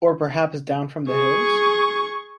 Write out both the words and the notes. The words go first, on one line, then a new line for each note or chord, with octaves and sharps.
Or perhaps down from the hills?
G#4 C#6